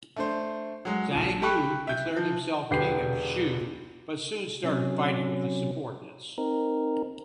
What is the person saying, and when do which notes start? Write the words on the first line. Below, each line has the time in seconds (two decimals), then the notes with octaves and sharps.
Zhang Yu declared himself King of Shu but soon started fighting with his subordinates.
0.16 A3 D4 C5
0.85 F#3 G#3
1.11 A#1 F3
1.42 G4 A4 B5 C#6 F#6
1.87 E5 G6
2.16 F3
2.71 E1 D3 B3 G4 G6 C7
4.63 C3 F#3 C#4
6.38 C4 D#4 A#4